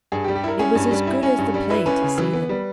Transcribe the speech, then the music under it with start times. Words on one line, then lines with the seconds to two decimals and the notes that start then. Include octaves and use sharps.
It was as good as the play to see them.
0.12 G2 G#4
0.24 G4
0.28 G3
0.35 G4
0.44 E4 A#4
0.59 C#4 G#4
0.75 G2
0.91 G3
1.07 E4
1.23 C#4
1.38 G2
1.54 G3
1.70 E4 B4
1.86 C#4 B4
2.02 C#3
2.18 E3
2.33 B3
2.49 G3